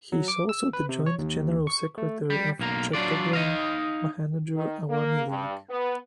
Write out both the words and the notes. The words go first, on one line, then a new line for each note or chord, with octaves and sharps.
He is also the joint general secretary of Chattogram Mahanagar Awami League.
F#3
D6
E6
B4
C3
C#5
D#2
C#6
A3
G3
B1 A#3 A#4
F#3 D4 F4 D5
D#4 D#5 F5
D#3
A#3
G2
B3